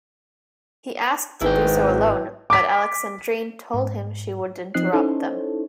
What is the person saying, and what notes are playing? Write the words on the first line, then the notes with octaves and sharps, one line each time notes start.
He asked to do so alone, but Alexandrine told him she would interrupt them.
G#1 G#2 E4 B4 G5
D6 B6
G#2
F3 C4 D#4 D#5 F#6 C7
C#4 D#4 E4 A4 C5 C#5